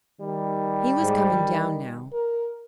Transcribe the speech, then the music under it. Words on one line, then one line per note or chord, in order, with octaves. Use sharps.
He was coming down now.
D#3 G3
G#2
D#3
A#4